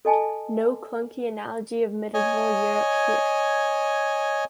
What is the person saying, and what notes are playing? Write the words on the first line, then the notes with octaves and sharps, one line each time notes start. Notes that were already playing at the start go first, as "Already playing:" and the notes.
No clunky analogy of medieval Europe here.
A4 D#5 G#5 A5
C#5 D#5 G#5